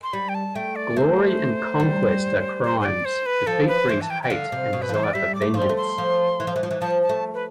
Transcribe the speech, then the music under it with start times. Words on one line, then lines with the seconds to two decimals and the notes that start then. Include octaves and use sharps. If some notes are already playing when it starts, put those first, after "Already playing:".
Glory and conquest are crimes; defeat brings hate and desire for vengeance.
0.03 C6
0.13 G3 B5
0.29 G5
0.35 A5
0.55 A3 G5
0.76 D5
0.97 A3 C5
1.80 G3
2.64 C5
2.80 C5
2.85 D5
3.05 C5
3.26 B4
3.47 F3 A4
3.68 B4
3.89 E3 C5
4.01 A5
4.10 G5
4.23 G5
4.30 D3 F5
4.52 C3
4.73 B2
4.82 B4
4.89 F3
4.93 E3 C5
5.04 D5
5.14 G3 E5
5.35 D6
5.42 A3
5.54 F3 C6
5.62 G3
5.69 A3
5.77 C6
5.98 F3
6.40 E3
6.47 F3
6.56 E3
6.63 F3
6.71 E3
6.81 F3 A5
7.02 A5
7.09 A3
7.34 B4